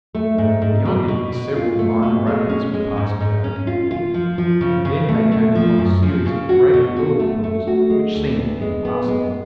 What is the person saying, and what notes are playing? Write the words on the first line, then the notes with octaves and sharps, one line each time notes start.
Beyond it several minor rapids were passed without difficulty; and then they came upon a series of great whirlpools which seemed impassable.
A3
G#2
G#2
B2
B2
B2
F4
A3
B2
G#3
C#4
G#3
G#2
G#2
C#4
F4
F4
F3
F3
C#3
C#3
A3
A3
F3
F#2
F3
C#3
F#4
B2
F#4
A3
A3
F#4
G#3
D2
B3
G#3
B3
G#3